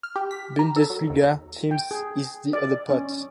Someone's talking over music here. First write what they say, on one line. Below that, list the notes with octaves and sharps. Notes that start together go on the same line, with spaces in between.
Bundesliga teams in the other pot.
F6
G4
B6
A#5
A4
F#3
D#2
G5
G#4
D5
C#4